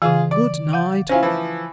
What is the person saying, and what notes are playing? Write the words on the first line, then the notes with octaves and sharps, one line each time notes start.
Good night!'
C#3 E3 F4 G#4
D5
F5 F#5 G6
C#4 E4 F4 C5 G#5
E3 F3